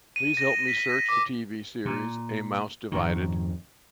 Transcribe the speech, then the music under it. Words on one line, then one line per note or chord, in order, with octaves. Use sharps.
Please help me search the TV series A Mouse Divided.
D#7
A#6
D#7
B6
A#6
D6
A#2
F2 G#2 D#3